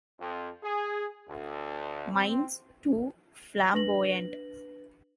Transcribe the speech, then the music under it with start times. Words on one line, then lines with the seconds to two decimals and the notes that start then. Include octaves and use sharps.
Mine's too flamboyant.
0.19 F2
0.62 G#4
1.27 D2
2.13 C4
3.73 D4 B4 A#6 F#7